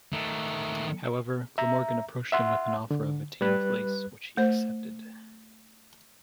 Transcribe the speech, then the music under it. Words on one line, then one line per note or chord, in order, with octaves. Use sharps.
However, Glamorgan approached him with an offer of a team place which he accepted.
D#3 A3
E5 A#5
E5 F#5 C6
D3
G3 B4 F#6
A3 C5